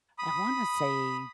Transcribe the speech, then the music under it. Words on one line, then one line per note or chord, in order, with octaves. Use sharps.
I wanna say
B5 D#6